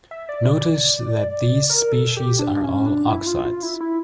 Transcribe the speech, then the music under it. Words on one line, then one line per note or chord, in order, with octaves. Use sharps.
Notice that these species are all oxides.
E5
D5
A#4
A4
G4
D4
C#4
D4
E4
F4
F4
E4
E4